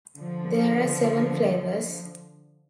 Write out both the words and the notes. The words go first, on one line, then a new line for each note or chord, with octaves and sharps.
There are seven flavours.
D3 F3